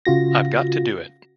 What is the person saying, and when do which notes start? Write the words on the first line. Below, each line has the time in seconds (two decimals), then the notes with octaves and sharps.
I've got to do it.
0.05 C#3 F4 F#4 A#6